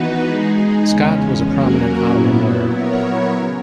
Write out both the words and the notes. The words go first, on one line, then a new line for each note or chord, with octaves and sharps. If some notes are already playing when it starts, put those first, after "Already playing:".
Scott was a prominent Ottawa lawyer.
Already playing: E3 B3 D#4 F#4 B4
G#3 D#4 G#4
E2 C#3 G#3 C#4
F#3 A#3 C#4 F#4 A#4
A#2 F#3 B3 E4
F#3 B3 E4 A#4 C#5
C#3